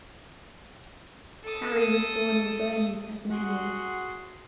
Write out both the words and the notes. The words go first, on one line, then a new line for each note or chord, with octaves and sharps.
Parry was born in Burnie, Tasmania.
A4 D#6
F#4 G#4 F#5 C6